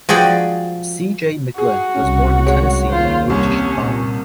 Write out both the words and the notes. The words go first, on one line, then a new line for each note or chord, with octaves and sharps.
C. J. McLin was born in Tennessee and moved to Chicago.
F3 F#4 G#4 D5 G5
F#4 G#4
C2 C#3 C#4
G#3 C#5 C#7
D#2 F4 C5
C2 C3 C#4
A#2